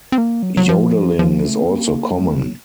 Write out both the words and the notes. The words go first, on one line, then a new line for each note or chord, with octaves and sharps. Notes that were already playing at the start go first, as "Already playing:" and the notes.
Yodeling is also common.
C4
A#3
F#3
F#3
F3
F3
A3
C4
A#3
F#3
A3
F#3